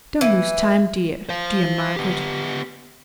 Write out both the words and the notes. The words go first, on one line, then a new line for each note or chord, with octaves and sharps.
Don't lose time, dear, dear Margaret.
E3
C5 F5
B3 G4